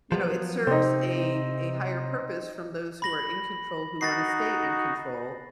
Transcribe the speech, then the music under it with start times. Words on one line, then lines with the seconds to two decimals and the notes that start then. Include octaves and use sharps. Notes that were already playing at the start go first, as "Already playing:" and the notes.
you know, it serves a a higher purpose from those who are in control who wanna stay in control,
0.12 F3 F#3 B3
0.67 C3 C4 D#4
3.02 B5 A#6 F#7
4.01 D#4 F#4 A6 A#6 C7